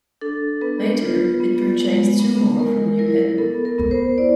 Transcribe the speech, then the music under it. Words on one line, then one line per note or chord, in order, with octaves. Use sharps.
Later it purchased two more from New Haven.
D4 A4
B3 B4
F4
B3
G#3
B3
G#3 A#4
E4 A#4
B3 A4
A#4
B3
C5
E4 D5